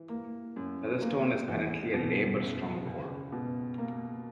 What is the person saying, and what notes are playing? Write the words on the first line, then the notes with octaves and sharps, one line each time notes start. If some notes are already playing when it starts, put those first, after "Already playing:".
Featherstone is currently a Labour stronghold.
Already playing: E3
A#3
F#2
A#3
E2
B2
F#1
C#2
B2
A#3